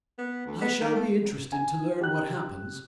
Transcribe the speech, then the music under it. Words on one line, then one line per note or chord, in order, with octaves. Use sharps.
"I shall be interested to learn what happens."
B3
D2
B3
D#3
A3
G#5
G4 F#6